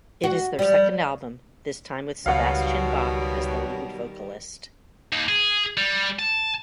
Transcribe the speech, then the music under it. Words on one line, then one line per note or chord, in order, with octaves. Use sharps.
It is their second album, this time with Sebastian Bach as the lead vocalist.
F#4
F3 G3
C#2 B2 D#3 F#3 G3 A#4 F5 F#5
D#2
G#4
G3
A5